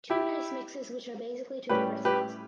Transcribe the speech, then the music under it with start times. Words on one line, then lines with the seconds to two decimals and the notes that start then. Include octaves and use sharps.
Two nice mixes which are basically two different songs.
0.10 E4 G4
1.69 A2 G3 C#4 G4 B4
2.05 G4 B4